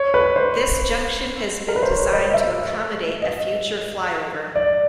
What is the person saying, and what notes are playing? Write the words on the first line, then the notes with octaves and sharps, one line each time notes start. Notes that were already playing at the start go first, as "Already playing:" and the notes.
This junction has been designed to accommodate a future flyover.
Already playing: C#5
B4
C5
A#4
B4
C5
C#5
D#5
E5
D#5
D5